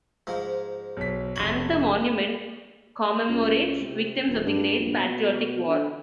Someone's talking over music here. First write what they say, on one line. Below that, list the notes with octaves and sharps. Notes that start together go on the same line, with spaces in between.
Another monument commemorates victims of the Great Patriotic War.
G#2 F3
B1 B6
F1 C#5 F#7
C#2
C3
D#1
G2
A#1
B2
D3